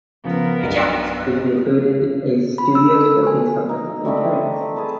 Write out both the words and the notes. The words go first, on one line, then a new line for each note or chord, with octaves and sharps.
A Japanese version included a studio Scorpions cover, In Trance.
C#3 F3 B3 A#4
B1 G2
B5
E6
A4
G#5
D#4
G3 A3 C4 G4
G#4 B4 A5